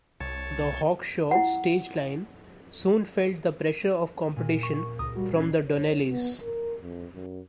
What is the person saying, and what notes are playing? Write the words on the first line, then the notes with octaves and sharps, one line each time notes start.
The Hawkshaw stage line soon felt the pressure of competition from the Donnellys.
C2 C#5 A5
E4 F#5
A#2 D#7
C#6
C#2 A#4 D#6
G3 F#4
C#4 D#6 G#6 C7
C#5
B3
A#4
F2
F#2